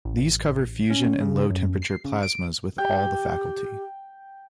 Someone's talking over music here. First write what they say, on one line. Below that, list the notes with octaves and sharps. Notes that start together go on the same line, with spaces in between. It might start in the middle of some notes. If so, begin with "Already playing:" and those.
These cover fusion and low temperature plasmas with all the faculty.
A1
C#4
C#3
F#2
C7
C#3
D7
G4 G5